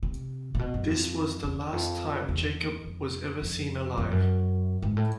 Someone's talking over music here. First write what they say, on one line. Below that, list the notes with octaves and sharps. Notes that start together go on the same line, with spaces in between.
This was the last time Jacob was ever seen alive.
C3
A#2
B2
F#2
F2
E2
F2
E2
F2
F2
F2
F#2
G#2
A2